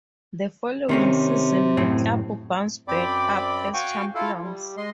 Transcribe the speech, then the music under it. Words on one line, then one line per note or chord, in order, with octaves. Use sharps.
The following season the club bounced back up as Champions.
C3 D#3 C4 C#4
F#2 A2 C4
F#2 C4 D5 G5 B5 D6
F#4 F5 G5 G#5 C#6
E4 F4 A4 F5
G3
G#3 D#5 C6